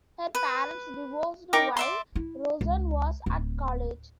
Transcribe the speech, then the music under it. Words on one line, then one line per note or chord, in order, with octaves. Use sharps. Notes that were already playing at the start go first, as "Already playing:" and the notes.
Her parents divorced while Rosen was at college.
B4
D#4 A#4 G5 D6
D5 E5 C6
E4
C#2
D1